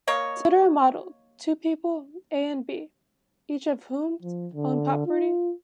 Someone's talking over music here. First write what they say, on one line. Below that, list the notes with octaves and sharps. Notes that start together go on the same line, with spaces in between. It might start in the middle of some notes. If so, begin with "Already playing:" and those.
Consider a model: two people, A and B, each of whom owns property.
A#3 C#5 D#5
F3
D3
F4